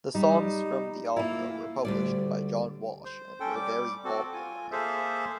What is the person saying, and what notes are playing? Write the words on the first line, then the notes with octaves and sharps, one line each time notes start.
The songs from the opera were published by John Walsh and were very popular.
G3 D#4
A#3 E4 F4
D2 G3 D5
C5
C#4 A4 G5
G3 D6
C4 F#4 A4
F4 G#5
A#3 G#4 A4 C5 E5 F5